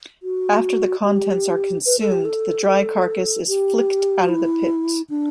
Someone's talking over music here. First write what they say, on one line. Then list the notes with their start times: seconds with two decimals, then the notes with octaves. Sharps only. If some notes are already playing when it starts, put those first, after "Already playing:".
After the contents are consumed, the dry carcass is flicked out of the pit.
0.23 F#4
1.05 G4
1.86 B4
1.99 A4
2.12 G4
2.25 A4
2.66 A4
3.48 G4
4.21 F#4
4.29 E4
5.10 D4